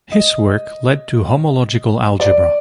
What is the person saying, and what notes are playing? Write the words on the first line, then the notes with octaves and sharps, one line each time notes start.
His work led to homological algebra.
D#5
D5